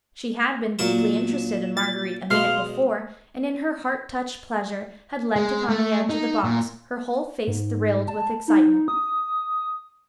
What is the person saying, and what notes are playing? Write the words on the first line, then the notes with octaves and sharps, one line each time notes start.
She had been deeply interested in Marguerite a minute before, and, in her heart-touched pleasure, had leant upon the edge of the box, her whole face thrilled with excitement.
A#2 F#3 A#4 E7
A6
B2 G#3 F5 C6 F6
G#3
A3
D#4
A#2
G#2
A5
D#4
D#6